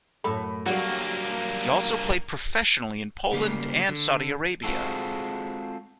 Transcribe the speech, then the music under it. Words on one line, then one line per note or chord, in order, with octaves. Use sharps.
He also played professionally in Poland and Saudi Arabia.
F#2 A2 A4 B5
G2 F#3 G3 A#3 F#4
C#3 G3 A#3
D3
G#3 C4 F4 F#4 G#4 A4